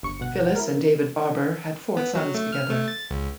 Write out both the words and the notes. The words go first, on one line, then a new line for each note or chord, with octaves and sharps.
Phyllis and David Barber had four sons together.
G1 C#6 C#7
G1 B2 F#5
E4 A#4
B3
F#3
A3
F6
A3
A6
C#2